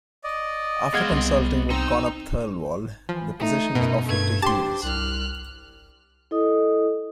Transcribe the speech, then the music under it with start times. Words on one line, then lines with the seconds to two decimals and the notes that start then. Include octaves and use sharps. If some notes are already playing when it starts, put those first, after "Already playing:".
After consulting with Connop Thirlwall, the position was offered to Hughes.
0.24 D5 D#5
0.94 G#3 B3 F5 F#5 C6 G#6
1.11 C2
1.70 C4 D#4 E6
3.09 E3 F3
3.40 A3 D#4
3.75 F#2 B2
4.07 G2 A3 G#6
4.42 D4 G4 C5 A5 C6
4.83 C2 F6 F#6
6.31 E4 A4 D#5 D#6